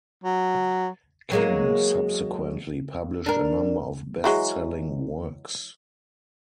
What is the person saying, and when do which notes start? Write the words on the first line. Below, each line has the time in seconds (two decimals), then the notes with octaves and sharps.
King subsequently published a number of best-selling works.
0.24 F#3
1.31 F#3 G#3 A#3
3.26 D4 A#4
4.24 E3 F#3 G#3